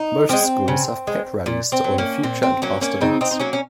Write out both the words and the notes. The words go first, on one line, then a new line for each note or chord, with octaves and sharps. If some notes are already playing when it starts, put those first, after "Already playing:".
Most schools have pep rallies to honor future and past events.
Already playing: D#4
F3 G#3 C4
C#3
G#3
A#2
C4
F#3
A#3 C#4
A#2 C4
C4
F#3 A#3 C#4
A#3 C#4
C#3 C4 D#4
C4 D#4
C4
F#3 A#3 C#4
C#4